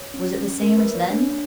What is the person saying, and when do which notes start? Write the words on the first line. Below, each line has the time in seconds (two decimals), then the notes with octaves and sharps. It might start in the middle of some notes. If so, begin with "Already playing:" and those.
Was it the same as then?
Already playing: C#5
0.14 C#4
0.38 C#4
0.62 A#3 A#4
0.78 B4
0.86 A#3
0.94 C#5
1.10 D4